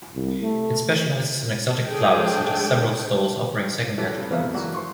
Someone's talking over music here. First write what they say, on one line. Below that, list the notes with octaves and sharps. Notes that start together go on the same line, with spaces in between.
It specialises in exotic flowers and has several stalls offering secondhand clothes.
C2
A3
G#3 D4 G#4 A4 G5
C#4 D4 E4 G4 A4 B4
G2 C3
F2 C#3 F3 B3 A#4 E5
E3 F#3 G#3 A#3 D4 F#4
C5 C6 C#6